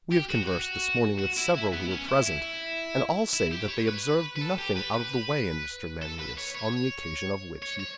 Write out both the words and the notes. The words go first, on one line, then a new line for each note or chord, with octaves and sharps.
We have conversed this morning with several who were present, and all say that they observed nothing out of the way in Mr. Manlius, on the occasion of which you speak.
G4
F#4
F#4
F#4
E4
E4
B3
C#4
E4
E4
E4
G4
C#5
B4
B4
A4
G4
B4
B4
A4
B4
C#5
C#5
C#5
C#5